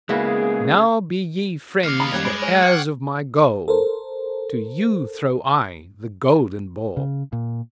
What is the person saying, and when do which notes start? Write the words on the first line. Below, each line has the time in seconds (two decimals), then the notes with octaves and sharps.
Now be ye friends the heirs of my goal; to you throw I the golden ball.
0.09 C#3 G#3 A#3 B3 E4 F#4 G#4
1.84 D#2 F5 D6 F6 C#7
2.00 A#5 B5 D#6
2.12 F#2 F#3 G3 F#6 G#6 F7
2.25 G#3 B5 D#6 A6 D7
2.42 C#5 G#5 D7 F7
2.63 C5 F#5 G5 C#6 F6 F#6 C7
3.68 A4 A#4 C5
6.97 C#3
7.32 A#2